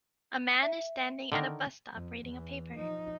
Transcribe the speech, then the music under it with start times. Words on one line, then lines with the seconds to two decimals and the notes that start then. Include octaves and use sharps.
A man is standing at a bus stop reading a paper.
0.63 E5
1.32 D3 D#3 A#4
1.94 F2
2.24 E2 E3
2.75 F3 D#4